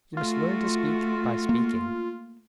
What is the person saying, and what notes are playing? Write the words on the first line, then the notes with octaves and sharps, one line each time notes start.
You must learn to speak by speaking.
A3 F4 F#4
A#3